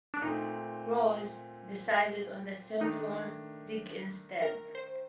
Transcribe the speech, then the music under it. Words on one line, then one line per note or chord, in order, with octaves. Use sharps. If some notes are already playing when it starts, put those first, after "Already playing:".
Rose decided on the simpler Digg instead.
D4
A#2 A3 C4 D#4
D#3 A3 D4 D#4
A#4
C5